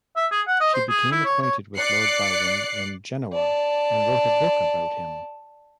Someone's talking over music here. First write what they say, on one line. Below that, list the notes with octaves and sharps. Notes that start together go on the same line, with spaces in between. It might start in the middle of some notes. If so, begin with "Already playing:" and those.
She became acquainted with Lord Byron in Genoa and wrote a book about him.
E5
G#4
F#5
D#5
C5
G#4
E4
C#5
C#5
D5 F#6 C7 C#7
D5 A5